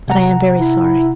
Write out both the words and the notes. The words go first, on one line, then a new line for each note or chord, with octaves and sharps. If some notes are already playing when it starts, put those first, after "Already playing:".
But I am very sorry.'
C3 F#5 A#5
E4